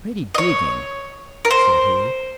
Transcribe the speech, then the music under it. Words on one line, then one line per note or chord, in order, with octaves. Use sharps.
"Pretty digging!" said he.
D#5
C#5
A#4
C5